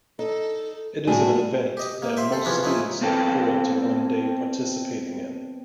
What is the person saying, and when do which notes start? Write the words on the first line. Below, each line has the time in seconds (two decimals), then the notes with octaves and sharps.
It is an event that most students look forward to one day participating in.
0.19 D#4 A4
1.07 A2 G3 F#4 G#4
1.77 G4 D#5
2.02 A#3
2.17 C5 E5 G5
2.32 A4 C5
2.45 E2 C3 F3 C#4 D4 B5
2.63 F3 C#4 D#4 E4
3.01 B3 C4 A4 G5